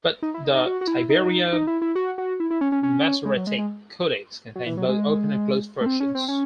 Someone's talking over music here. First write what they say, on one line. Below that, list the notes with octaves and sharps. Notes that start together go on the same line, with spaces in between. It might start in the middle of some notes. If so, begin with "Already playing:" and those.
But the Tiberian masoretic codices contain both open and closed portions.
D#4
E4
D#4
D#4
F#4
F#4
E4
D#4
D#4
E4
E4
F#4
F#4
E4
E4
C#4
C#4
C#4
G#3
F#3
G#3
G#3
F#3
E3
F#3
G#3
A3
C4
C#4
C4
C#4